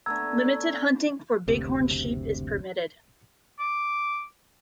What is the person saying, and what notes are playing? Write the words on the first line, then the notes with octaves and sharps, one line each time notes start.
Limited hunting for bighorn sheep is permitted.
D3 A3 B3 A#5 E6 G#6
F#1 D2 C3
D6